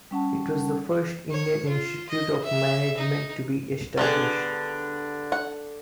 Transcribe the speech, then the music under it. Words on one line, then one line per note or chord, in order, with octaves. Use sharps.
It was the first Indian Institute of Management to be established.
G3 C#4 F#5 A5
C#5
F4
D#5
E5
D#4
D3 G3 B3 G#4
F#5